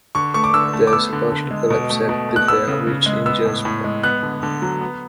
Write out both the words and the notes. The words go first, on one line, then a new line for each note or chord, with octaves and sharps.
There is a partial collapse at the fair which injures Pop.
D3 C#6
A3 C#6
D6
D3 E6
A3
D6
B3 E6
D3
D3
G#3
B2
A3
B2
A3
F#6
B3 E6
C#3
C#3
G#3
B3 E6
A2
A2
G#3
B3 F#6
D3
D3
F#3
B3